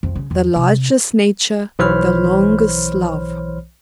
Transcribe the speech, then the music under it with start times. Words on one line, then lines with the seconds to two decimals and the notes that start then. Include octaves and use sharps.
The Largest Nature, the Longest Love.
0.03 F2
0.15 C#3
0.31 E2
0.56 C3
1.79 B1 E3 C5 C#5 B5 F6